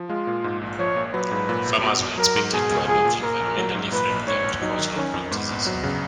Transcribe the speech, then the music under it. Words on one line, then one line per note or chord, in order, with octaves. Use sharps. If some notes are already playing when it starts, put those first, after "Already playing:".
Farmers were expected to adopt environmentally friendly agricultural practices.
Already playing: F3
G#3 F4
A#2
G#2
A#1
F3 C#5
A#2
F#3 B4
G#2
A#2
B1
B2
B1
F#3 A#4
G#2
B2 G#4
C#2
F3 G#4
A#2
A#2 A#4
A#1
F#3
G#2
A#2 B4
A#1
G#2 C#5
A#1
F#3 D#4
D#3
D#3 C#4
F2
G#2 B3
A#1
F#3
C#3